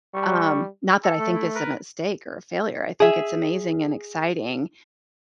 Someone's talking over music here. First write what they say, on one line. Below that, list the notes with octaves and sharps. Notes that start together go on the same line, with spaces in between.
Um, not that I think this a mistake or a failure, I think it's amazing and exciting.
G3 C#6
A4
A3
E4
A#4 B4
G#4 E5